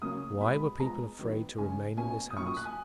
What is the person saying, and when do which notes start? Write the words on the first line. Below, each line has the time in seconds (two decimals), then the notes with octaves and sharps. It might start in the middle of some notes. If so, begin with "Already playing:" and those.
Why were people afraid to remain in this house?
0.02 C#3 F#3 A#3 C#4 D#6
0.41 B2 G#3 B3 B5
0.80 F3 G#3 B3 A#5
1.19 D#3 F#3 B3
1.58 C#3 G#3 C#4 G#5
1.97 B2 A#3 C#4 G#5
2.30 D#6
2.36 A#2 F#3 C#4 C#6
2.46 D#6
2.57 F#6
2.65 G#5